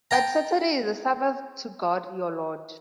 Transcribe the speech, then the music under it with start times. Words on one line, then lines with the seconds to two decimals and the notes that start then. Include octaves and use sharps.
But Saturday is the Sabbath to God your Lord.
0.11 G5 A5 A#5